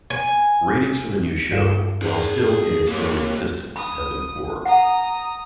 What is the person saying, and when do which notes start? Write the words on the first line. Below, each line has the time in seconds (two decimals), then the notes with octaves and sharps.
Ratings for the new show, while still in its early existence, have been poor.
0.10 G#5
1.51 G2 F4 E7
2.03 G#4 G5
2.88 A#3 G4
3.76 B5 D#6
4.66 F#5 A#5 D#6